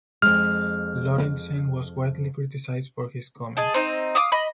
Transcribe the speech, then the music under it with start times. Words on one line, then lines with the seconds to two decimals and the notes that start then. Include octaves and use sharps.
Lorentzen was widely criticized for his comments.
0.22 F2 G#3 F6
3.57 G#4 D#5 A5
3.74 C4 D#4 D#5
4.15 F5 D6 D#6
4.32 D#5 B5